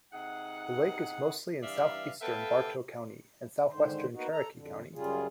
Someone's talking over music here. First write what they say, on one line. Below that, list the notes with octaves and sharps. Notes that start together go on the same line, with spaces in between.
The lake is mostly in southeastern Bartow County and southwestern Cherokee County.
C3 D#4 G#4 F#5
G2 E3 D5 E5 F5
B3 A4 B4 E5 F5 G5
G#2 D3 D#3 C5
A#3 B3 D#4 F#4
A4 A#5
F2 D3
F#2 C#3 G3 F4 G#4